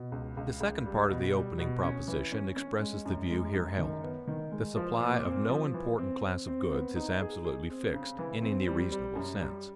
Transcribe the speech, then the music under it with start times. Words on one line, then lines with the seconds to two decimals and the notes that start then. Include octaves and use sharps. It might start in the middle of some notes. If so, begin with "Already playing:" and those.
The second part of the opening proposition expresses the view here held: the supply of no important class of goods is absolutely fixed, in any reasonable sense.
Already playing: B2
0.12 C#2
0.37 C#2
0.60 C#2
0.86 G3
1.09 B2
1.34 G3
1.58 B2
1.83 C#4
2.08 E3
2.32 C#4
2.56 C#4
2.81 G#3
3.05 F#2
3.30 G#3
3.54 F#2
3.78 D#3
4.03 B3
4.27 D#3
4.52 G#3
4.76 F3
5.01 A#2
5.25 C4
5.49 F3
5.74 E3
5.98 C4
6.23 C4
6.47 C4
6.72 B3
6.96 D#4
7.20 G#4
7.45 G#4
7.70 C4
7.94 C#3
8.19 E3
8.42 C4
8.67 G3
8.92 G3
9.16 F#2
9.41 G3